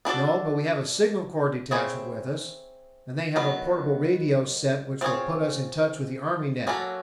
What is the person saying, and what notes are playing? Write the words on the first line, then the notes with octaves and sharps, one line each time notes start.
"No, but we have a Signal Corps detachment with us, and they have a portable radio set which will put us in touch with the army net."
B3 D4 F#4 A4 D5
C4 E4 G#4 C#5
D#3 F#3 B3
C4 F4 G#4 C#5
F#3 A#3 C#4 F#4 A4